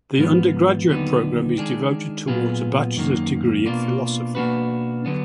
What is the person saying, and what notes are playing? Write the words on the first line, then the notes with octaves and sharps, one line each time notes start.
The undergraduate program is devoted towards a bachelor's degree in philosophy.
G#2 F3 B3
D#2 D3 F#3 B3 D#4
D#3 G#3 D4 G#4
A#2 F#3 B3 F4 G#4
F#2 D#3 A#3
B2 A#3 D4 F4
B2 A#3 D4 F#4 B4
D3 F#3 B3 D4